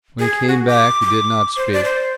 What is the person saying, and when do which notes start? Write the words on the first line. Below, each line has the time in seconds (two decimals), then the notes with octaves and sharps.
When he came back, he did not speak.
0.20 G#4
0.48 F#4
0.67 D6
1.01 D6
1.57 C5
1.72 D5
1.84 C5